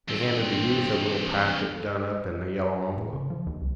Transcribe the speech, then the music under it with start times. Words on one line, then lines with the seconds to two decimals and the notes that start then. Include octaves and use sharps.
He handed the youth a little packet done up in a yellow envelope.
0.08 G2 C4
2.97 A2
3.13 C#3
3.30 F3
3.47 D#2
3.61 C2